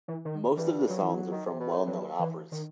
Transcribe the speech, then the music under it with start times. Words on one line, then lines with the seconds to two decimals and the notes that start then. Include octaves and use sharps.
Most of the songs are from well-known operas.
0.08 E3
0.25 D#3
0.57 G2 E3
0.90 F#3
1.02 E3
1.14 F#3
1.32 D#3
1.46 C3
1.60 B2
1.73 A2
1.86 G2 F#3
2.19 E3
2.52 D#3